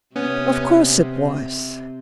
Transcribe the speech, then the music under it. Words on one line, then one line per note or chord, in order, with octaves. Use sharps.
"Of course it was!"
C3 B3 C#4